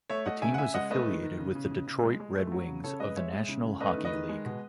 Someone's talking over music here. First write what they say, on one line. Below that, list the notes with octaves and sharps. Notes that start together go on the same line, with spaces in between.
The team was affiliated with the Detroit Red Wings of the National Hockey League.
A3 C#5 E5
A3 D#5 F#5
C#3 E5 G#5
F#5
C#3 E5 G#5
G#3 D#5 F#5
A3 B4 D#5
D#3
D#3
C#3
C#3
C#3
C#3
G#3
G#3
A3
F#3
C#3
C#3 A4 C#5
G#3 B4 D#5
G#3 C#5 E5
G#3
C#3
C#3
A3 B4 D#5
D#3
B4 D#5
D#3
G#3
B2